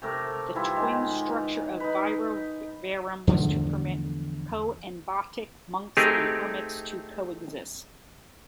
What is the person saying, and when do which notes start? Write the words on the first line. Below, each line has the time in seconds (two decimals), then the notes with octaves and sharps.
The twin structure of Vivarium was to permit coenobitic monks and hermits to coexist.
0.02 C3 A3 A#4 D6
0.55 E3 G3 E4 F4
0.76 D#3 G#3
1.27 E3
1.80 D#4 B4
3.27 E2 D3 F3 A3
5.97 A3 C4 D#4 G4 G#4 A#4